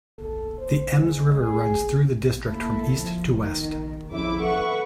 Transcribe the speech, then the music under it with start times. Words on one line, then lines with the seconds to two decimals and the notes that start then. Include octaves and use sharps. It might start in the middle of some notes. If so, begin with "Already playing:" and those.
The Ems river runs through the district from east to west.
0.18 A4
0.58 C5
0.96 G#3
1.42 G#4
2.47 A#3 E4 A4
2.95 F3
3.37 D#3
4.10 F2 C#3 E4 E5 D6
4.39 A4 B4 E5 F#5 C#6